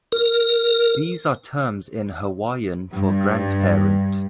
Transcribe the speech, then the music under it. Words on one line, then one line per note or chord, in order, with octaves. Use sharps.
These are terms in Hawaiian for grandparent.
A#4
G2